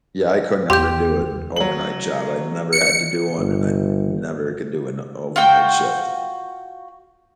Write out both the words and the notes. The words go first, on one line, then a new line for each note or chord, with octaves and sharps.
Yeah, I could never do an overnight job. I've never had to do one, and I never could do an overnight shift.
E2 G4 C6 G6
F#3 F#7
C#7
G1
F4 F#4 G5